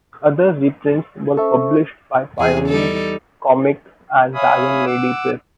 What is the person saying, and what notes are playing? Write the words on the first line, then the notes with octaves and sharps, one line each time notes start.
Other reprints were published by Pioneer Comics and Dragon Lady Press.
C#4 A4 C5 E5 C#6
E2 G#4
G3 D#4 A4
C#5 E5 F5 G#5 B5 D#6
F#5 D6 E6